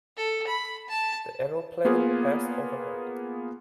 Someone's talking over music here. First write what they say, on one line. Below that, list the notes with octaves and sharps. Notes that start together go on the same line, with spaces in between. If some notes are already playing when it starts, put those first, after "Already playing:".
The aeroplane passed overhead.
A4
B5
A5
A#3 B3 F4 G#4